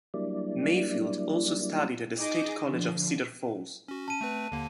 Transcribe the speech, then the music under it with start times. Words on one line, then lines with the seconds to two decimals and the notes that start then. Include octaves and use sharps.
Mayfield also studied at the State College of Cedar Falls.
0.14 F#3 G3 A#3 D4 E4 D5
2.16 D#4 G#4 D#5 D6
2.64 D3 F3
3.88 C#4 F#4
4.08 C#4 A5 D#7
4.21 A3 C4 B4
4.52 D#2 D3 A#3